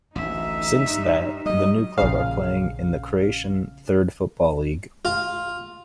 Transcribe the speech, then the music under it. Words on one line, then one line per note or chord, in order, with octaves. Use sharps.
Since that, the new club are playing in the Croatian Third Football League.
A1 D2 D#4 E5
G2
F#3 G3 D#5
A#1 C#3 F5
F4